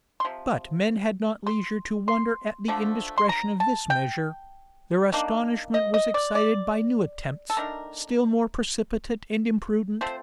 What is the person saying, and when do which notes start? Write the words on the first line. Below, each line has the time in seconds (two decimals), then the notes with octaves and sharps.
But men had not leisure to wonder at the indiscretion of this measure: their astonishment was excited by new attempts, still more precipitate and imprudent.
0.20 C6
0.25 C3 F3
1.47 C6
2.08 C6
2.68 D3 F3 A3 D4
3.18 C6
3.29 A#5
3.60 A5
3.90 G5
5.12 D#3 A#3 D4
5.74 D#5
5.94 D#5
6.14 D5
6.35 D5
7.50 A4
7.57 D#3 A3 D4 A#4
10.01 F3 A3 C4 C5